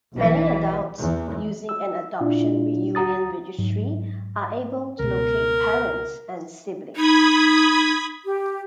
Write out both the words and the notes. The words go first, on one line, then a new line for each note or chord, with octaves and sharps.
Many adults using an adoption reunion registry are able to locate parents and siblings.
B1 E3
E2
E6
A#2 D4 E4 F4
D2 F#4 A#5 D#6 A6
G#2 F#3
C#2 B2 A#4
D#4 B5 D#6 G#6
G4